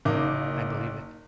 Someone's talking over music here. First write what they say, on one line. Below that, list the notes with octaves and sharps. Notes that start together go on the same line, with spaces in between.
I believe it.
F#1 A#3 D#4 D6